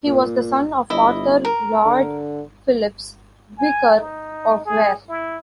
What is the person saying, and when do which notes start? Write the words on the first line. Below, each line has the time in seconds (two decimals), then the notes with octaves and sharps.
He was the son of Arthur Lloyd-Phillips, Vicar of Ware.
0.06 A#2
0.90 G1 E4 D#5
1.45 A#4
1.85 D3
3.58 G#5
4.00 D#4
4.65 G#4
5.08 E4